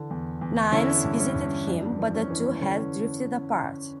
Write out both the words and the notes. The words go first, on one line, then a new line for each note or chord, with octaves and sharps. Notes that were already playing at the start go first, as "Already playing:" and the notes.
Niles visited him, but the two had drifted apart.
Already playing: D3 E3
E2
E2
D3 C#4 E4
G2
C#4
G2
F2 D4
E3
C#4
E3
D3 C#4